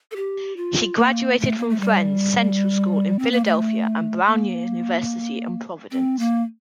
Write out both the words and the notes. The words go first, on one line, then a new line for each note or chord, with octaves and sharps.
He graduated from Friends' Central School in Philadelphia and Brown University in Providence.
A4
G4
F4
A#3
A3
A#3
A3
G3
C4
A#3
A3
A#3
C4
A#3